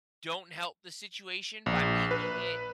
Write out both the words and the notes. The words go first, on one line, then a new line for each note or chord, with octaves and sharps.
don't help the situation by making it
A#1
B4